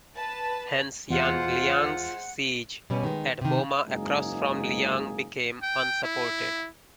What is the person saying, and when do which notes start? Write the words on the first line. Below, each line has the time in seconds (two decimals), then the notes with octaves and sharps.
Hence Yan Liang's siege at Boma across from Liyang became unsupported.
0.17 B4 A5
1.10 E2 G#3 F4 C5 F#5
2.90 B2 G3 C#4
3.03 D#3 G#3
3.41 C3 D#3
3.86 F#1 G#2 G#3 A#3 G#4
5.62 G5
6.03 E4